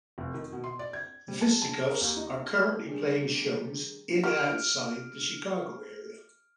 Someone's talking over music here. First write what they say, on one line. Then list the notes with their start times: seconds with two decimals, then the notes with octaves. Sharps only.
The Fisticuffs are currently playing shows in and outside the Chicago area.
0.18 F1
0.34 D#3
0.52 B2
0.64 C6
0.79 D5
0.93 G#6
1.28 G3
1.41 A5
1.62 A5
1.89 A#4
2.01 D#2
2.17 D#4
2.85 D#3 G3 A3 C#4 D4 G4 G#4
4.24 G4 F#5 F6 D7